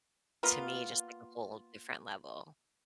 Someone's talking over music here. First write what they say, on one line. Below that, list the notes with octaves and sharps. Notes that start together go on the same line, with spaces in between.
to me just like a whole different level.
A#3 B3 F4